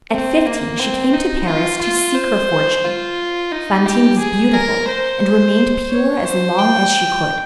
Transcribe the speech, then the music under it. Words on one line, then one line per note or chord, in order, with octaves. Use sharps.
At fifteen she came to Paris "to seek her fortune." Fantine was beautiful, and remained pure as long as she could.
C4
A#3
C4
D#4
F4
F4
C5
F4
D#4
G4
G#4
A#4
C5
C#5
C5
G5